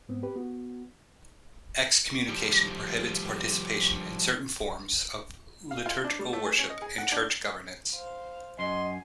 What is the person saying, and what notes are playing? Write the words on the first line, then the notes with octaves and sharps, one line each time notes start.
Excommunication prohibits participation in certain forms of liturgical worship and church governance.
G#2 B3 C4
G4 B4
B3 F#4
F3 G3
F5
F4
D4
G3
A3
G#4
C#4
D#5
G#4
F#5
D4
C5 F5
F#2 D#5 G#5 C6